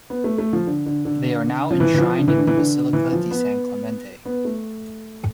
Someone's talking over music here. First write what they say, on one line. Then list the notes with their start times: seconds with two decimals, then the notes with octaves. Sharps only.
They are now enshrined in the Basilica di San Clemente.
0.10 B3
0.24 A3
0.38 A3
0.53 F3
0.67 D3
0.86 D3
1.05 D3
1.71 F3
1.80 E3
1.94 E3
1.99 F3
2.18 D3
2.28 E3
2.38 D3
2.47 E3
2.57 D3
2.93 E3
3.13 F3
3.31 B3
4.25 B3
4.45 A3